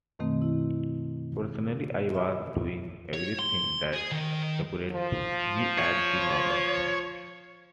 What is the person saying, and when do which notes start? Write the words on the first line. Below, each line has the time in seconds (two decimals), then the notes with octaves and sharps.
Personally I was doing everything that occurred to me at the moment.
0.19 F#2 B2 D#3 A3 C4
0.42 E4
2.14 D#5 E5 B5 D#6 F6
3.14 C#5
3.39 C6
3.93 G#4
4.11 D#3
4.93 F3
5.78 C#5